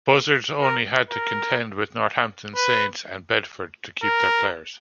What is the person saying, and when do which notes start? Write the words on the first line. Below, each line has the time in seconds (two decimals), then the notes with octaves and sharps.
Buzzards only had to contend with Northampton Saints and Bedford to keep their players.
0.61 A#4
1.11 A#4
2.56 B4
4.03 A#4